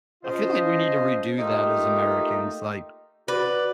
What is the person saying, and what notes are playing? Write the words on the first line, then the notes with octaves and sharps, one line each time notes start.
I feel like we need to redo that as Americans. Like,
C#3 F3 F4 C5 D#5
A3 A#3 D#4 F4 G4
F#4 B4 D5